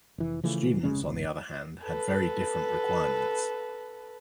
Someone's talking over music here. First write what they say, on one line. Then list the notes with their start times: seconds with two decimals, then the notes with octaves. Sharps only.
Students, on the other hand, had very different requirements.
0.18 F1 E3
0.43 C#3 E3 F3 A3
0.83 F1 C#3 G#3 C#4
1.00 G1 C#2
1.84 A4 B4